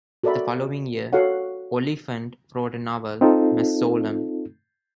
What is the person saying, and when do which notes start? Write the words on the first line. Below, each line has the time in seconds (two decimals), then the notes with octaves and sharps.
The following year, Oliphant wrote a novel, "Masollam".
0.23 F#4 A4 A#4 D5 E5 B5
1.13 F#4 A4 C#5 F5 F#5
3.21 C4 D#4 F4 A4